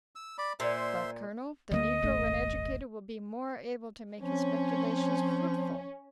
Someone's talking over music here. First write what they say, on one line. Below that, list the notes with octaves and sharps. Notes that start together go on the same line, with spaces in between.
"But, Colonel, the negro when educated will be more able to make his speculations fruitful."
E6
D5 B5
A#2 C5 E5 C6
D2 A3 A#3 D#5
D#1 G#1 A3
F3 C4 C#4